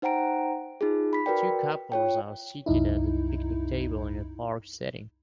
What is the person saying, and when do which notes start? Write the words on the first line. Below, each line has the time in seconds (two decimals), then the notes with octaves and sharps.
Two couples are seated at a picnic table in a park setting.
0.02 D#4 C5 F#5 G5 A#5 D7
0.81 D#4 F4 G#4
1.13 B5 B6
1.26 F#4 A#4 B4 D5 G5
1.92 F4 C#5 G5
2.66 C2 F#2 D#4 E4